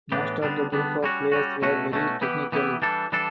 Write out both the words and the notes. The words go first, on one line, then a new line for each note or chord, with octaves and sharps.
Most of that group of players were very technical.
A2 E3 B3 D4 G4
D3 G3 B3 D4
D3 G3 B3 D4
G3 C#4 F#4
G3 C#4 F#4
B2 A3 C#4 F#4
B2 A3 C#4 F#4
E3 B3 E4 G4
E3 B3 E4 G4
E3 G3 D4 A4
E3 G3 D4 A4